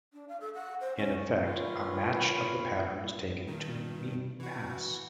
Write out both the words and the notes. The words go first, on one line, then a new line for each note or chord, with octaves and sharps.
In effect, a match of the pattern is taken to mean pass.
D4
F5
A4
F#5
C5
C#4
D#3 C#4 F4 B4
G2 D#3
E3 F#4